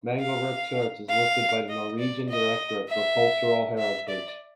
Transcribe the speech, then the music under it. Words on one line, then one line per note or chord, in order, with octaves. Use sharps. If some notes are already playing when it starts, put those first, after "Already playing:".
Manglerud Church is listed by the Norwegian Directorate for Cultural Heritage.
F5
F5
D#5
D5
D#5
E5
E5
D5